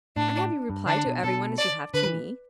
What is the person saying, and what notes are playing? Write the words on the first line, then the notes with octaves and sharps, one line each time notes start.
"And have you replied to every one as you have to me?"
A2 D4
G2
D3 D4
B2
B2 A4
D5
D3 B4
E3